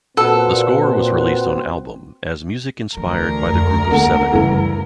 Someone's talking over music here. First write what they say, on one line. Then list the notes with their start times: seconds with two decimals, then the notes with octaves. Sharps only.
That score was released on album as "Music Inspired by the Group of Seven".
0.17 A#2 C4 F#4 A4 B4 F#5
2.97 D2 E3 A#4
3.47 F2
3.91 D3 A#3 B3 F#5
4.32 F#2 C#3 E3 G3